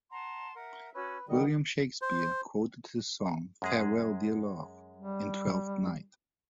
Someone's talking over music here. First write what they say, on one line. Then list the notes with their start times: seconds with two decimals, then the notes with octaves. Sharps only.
William Shakespeare quoted his song, 'Farewell, dear love', in Twelfth Night.
0.12 F#5 A5 A#5 C6
0.56 A#4 E5 F#5
0.94 C#4 F#4 B4 E6
1.29 D3 D#3 G3 D#5 F#5
2.02 C5
3.62 F#2 G#3 G#4
4.96 G3